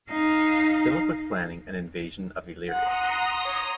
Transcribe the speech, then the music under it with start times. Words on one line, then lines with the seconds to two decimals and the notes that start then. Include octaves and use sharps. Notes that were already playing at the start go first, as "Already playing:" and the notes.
Philip was planning an invasion of Illyria.
0.10 D#4 F5
2.70 F#5 A#5 C6 D#6
3.45 C#5